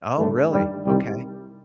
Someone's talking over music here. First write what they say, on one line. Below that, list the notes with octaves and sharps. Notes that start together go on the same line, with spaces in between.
Oh, really? Okay.
G2 D3 A3
G2 D#3 G3
C2 C3 D#3 G3